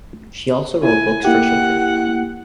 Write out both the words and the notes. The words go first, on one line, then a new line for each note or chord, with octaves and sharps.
She also wrote books for children.
E4 G#5
A#3 E4 G4 F#5